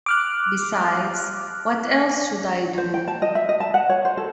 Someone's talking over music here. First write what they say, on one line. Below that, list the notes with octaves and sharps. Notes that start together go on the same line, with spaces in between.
Besides, what else should I do?
D6 F6 F#6
C5
G5
A5
D#5
E5
D#5
A5
F#5
C#5
C5
A4